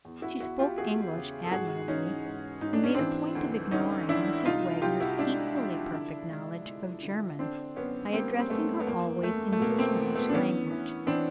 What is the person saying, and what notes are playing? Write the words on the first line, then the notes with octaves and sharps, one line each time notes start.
She spoke English admirably, and made a point of ignoring Mrs. Wagner's equally perfect knowledge of German, by addressing her always in the English language.
E2
E4 F#4
E2 E4 F#4
F4 G4
E2 F#4 G#4
C#3
A4
G#2 F#4 G#4
E3 C#4 D#4
G#2
G#2 D#4
D4
C#4
E3 C4 D4
D2
D2 C#4 D#4
E3 D4 E4
C2 D#4 F4
C2 F4 G4
E4 F#4
G#3 D4 E4
F3
D3
G#3
G#3
D3
D3 C4 D4
F#2 B3 C#4
G3 A#3 C4
C4
F#2 A3 B3
B3
E2 A#3
E2 A3
A3
B2 A#3
B3
A#3 C4
E2
A3 B3
D4
E3 B3 C#4
E3
E3 C4 D4